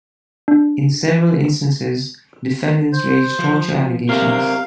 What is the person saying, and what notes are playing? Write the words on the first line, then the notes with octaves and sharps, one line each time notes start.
In several instances defendants raised torture allegations.
D4
C5
F3
C4 G4 A#4 F5